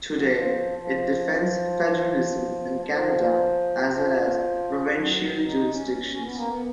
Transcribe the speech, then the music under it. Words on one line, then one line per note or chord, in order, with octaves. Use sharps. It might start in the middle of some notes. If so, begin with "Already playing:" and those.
Today, it defends federalism in Canada as well as provincial jurisdictions.
F#3
D#3
F3
F3
F3
F3
F#3
D#4
C#4
C#4
B3
A#3
B3